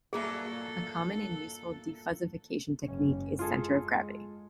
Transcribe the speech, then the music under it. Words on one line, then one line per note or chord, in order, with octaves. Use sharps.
A common and useful defuzzification technique is "center of gravity".
G2 A#2 F#3 A#3 E4 G#4 A4 E5
F#1 G#2 C#4
G#3 F4 G#4 A4